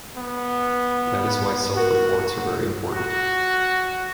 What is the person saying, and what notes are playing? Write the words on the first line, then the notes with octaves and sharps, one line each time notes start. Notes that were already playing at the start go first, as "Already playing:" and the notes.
That is why self-reports are very important.
B3
F#4 A#4
F#4